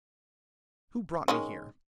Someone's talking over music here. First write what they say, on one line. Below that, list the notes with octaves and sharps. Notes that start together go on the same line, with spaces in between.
Who brought me here?
D#3 G#3 C#4